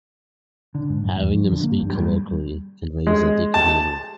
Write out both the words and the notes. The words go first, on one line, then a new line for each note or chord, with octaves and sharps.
Having them speak colloquially conveys that they could be anyone.
D3
G#2
F#2
E2
F3
D3
A#3
G2
G3
G#3
A5